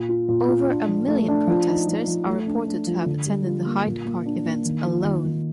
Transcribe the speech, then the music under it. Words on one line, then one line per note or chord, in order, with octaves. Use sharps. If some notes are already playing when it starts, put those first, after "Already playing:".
Over a million protesters are reported to have attended the Hyde Park event alone.
Already playing: A#2
F4
A#2
F4
D4
F3
A3
D4
F3
D#4
F3
F3
A3
D4
D4
F3
D3
G3
F4
A#3
A#2
A#3
D4
A#3
D#3
F4
D#3
D#3